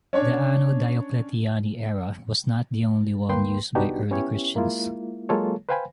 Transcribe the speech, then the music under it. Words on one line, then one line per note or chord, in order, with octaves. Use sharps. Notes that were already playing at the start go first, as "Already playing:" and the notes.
The anno Diocletiani era was not the only one used by early Christians.
C#4 D4 C#5
D2 A#3 B4 G5 C6
C2 B3 D4 D#4 F#4 G4
B3 C#4 E4 G4 C#5
G#3 A#3 E4 F4
F#3 G#3 A#3 F4 A4 C#5
B4 C5 F5 G5 G#5 B5